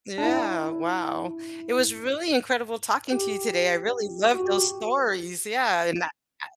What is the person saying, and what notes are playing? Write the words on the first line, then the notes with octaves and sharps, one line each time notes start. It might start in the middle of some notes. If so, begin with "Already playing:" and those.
Yeah, wow. It was really incredible talking to you today, I really love those stories, yeah, and that tha
D4
E4
G4
F#4
G4